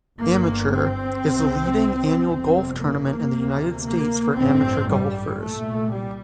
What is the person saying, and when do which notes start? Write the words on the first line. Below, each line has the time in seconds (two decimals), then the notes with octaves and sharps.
Amateur, is the leading annual golf tournament in the United States for amateur golfers.
0.19 G1 G2 A#3
0.72 C4
1.23 C2 C3
2.28 G1 F2 C3 C4
2.80 A#3
3.32 D2 C3
3.85 A#3
4.36 A1 G2 C4
4.89 G3
5.41 C2 A#2 A3
5.93 G3